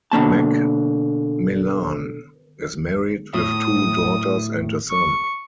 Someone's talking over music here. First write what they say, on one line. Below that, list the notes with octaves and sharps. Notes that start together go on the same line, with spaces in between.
MacMillan is married with two daughters and a son.
B2 D3 A#3 A5
A2 D#6
C#6